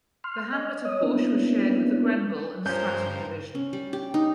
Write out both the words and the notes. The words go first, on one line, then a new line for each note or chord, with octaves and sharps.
The hamlet of Bush was shared with the Grenville and Stratton division.
C6 F6
D#5
C#5 D#5 D#6
A#3 B3 C#4 D4 E4
G2 F3 C#4 A#4 C5 G6
C#4
G3
G4
D#4